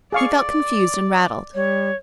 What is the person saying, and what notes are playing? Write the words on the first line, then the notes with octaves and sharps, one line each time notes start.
He felt confused and rattled.
G#4 D5 F5 C#6
G3 C#5